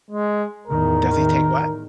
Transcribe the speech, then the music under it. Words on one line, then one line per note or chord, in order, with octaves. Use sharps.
Does he take what?
G#3
E2 A2 D#3 A#4